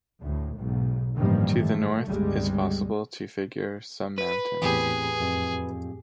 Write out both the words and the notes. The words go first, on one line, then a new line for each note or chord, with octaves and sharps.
To the north, is possible to figure some mountains.
D2 A2
B1 G#2
A1 G2 D#3 F3 G3 A#3
A3
G1 C#2 G3 G#3
B4
E2 A2 C4 G4 G#4
F2